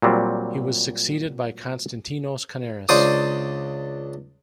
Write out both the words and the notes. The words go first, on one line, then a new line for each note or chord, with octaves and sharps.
He was succeeded by Konstantinos Kanaris.
A#2 F#3 G3 C4
C#2 D4 C5 D5 D#6